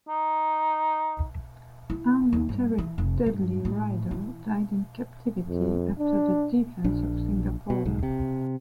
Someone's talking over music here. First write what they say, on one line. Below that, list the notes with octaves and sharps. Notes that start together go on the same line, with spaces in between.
Ernle Terrick Dudley Ryder died in captivity after the defence of Singapore.
D#4
E4
D#2
G2
E3
F1
G2
A2
E3
F2
D4
A#1 D4
B2
B1 G#2
C3